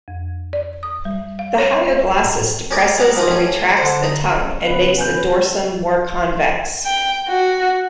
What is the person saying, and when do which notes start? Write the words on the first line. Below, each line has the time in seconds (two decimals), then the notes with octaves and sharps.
The hyoglossus depresses and retracts the tongue and makes the dorsum more convex.
0.08 F2
0.53 D5
0.83 D#6
1.05 G3
1.39 F5
1.58 C#5
2.25 A2
2.71 C#4 G4 G#4 A#4 D5
2.98 G3 B3 A#4
3.16 G#2 F3 A#3 D#4 D#5
3.30 A2 C#4 G#5
3.77 D3 C5
4.03 D#4
4.62 C#3 B3 B4
4.98 G#5 G6
6.86 G5
7.28 F#4